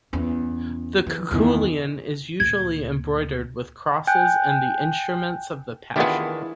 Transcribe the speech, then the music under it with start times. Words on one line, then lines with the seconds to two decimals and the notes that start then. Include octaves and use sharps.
The koukoulion is usually embroidered with crosses and the Instruments of the Passion.
0.13 E2 C#4
1.07 E3
1.31 E2 D#3
2.40 D2 A#2 G#6
4.07 G5 G#5 F#6 G6
5.96 D#3 E3 B3 D4 E4 F4 G4 G#4